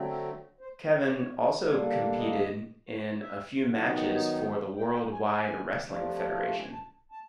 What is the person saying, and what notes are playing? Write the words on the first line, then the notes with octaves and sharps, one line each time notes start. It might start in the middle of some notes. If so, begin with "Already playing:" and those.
Kevin also competed in a few matches for the World Wide Wrestling Federation.
Already playing: D3 F#3 A3 C4
C5
C5
C#5
D3 G3 A#3 D4 C#5
D5
D#5
E5
D#3 F#3 B3 D#4 F#5
G5
G5
G#5
G#5
C3 F3 A3 D4 F4
A#5
A5
G#5
A5
A5